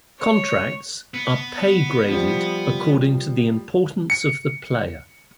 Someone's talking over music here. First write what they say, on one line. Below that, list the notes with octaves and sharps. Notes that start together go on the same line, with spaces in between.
Contracts are pay graded according to the importance of the player.
C#5
B3
F3 G3
C#7